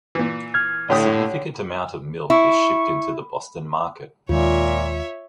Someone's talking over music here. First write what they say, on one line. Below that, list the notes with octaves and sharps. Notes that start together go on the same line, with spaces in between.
A significant amount of milk is shipped into the Boston market.
A#2 E3
F6 G#6
A2 D3 G4 C#5 D#6
E4 C#6
D#2 A#2 D#3 G#3 F4 C#5 E5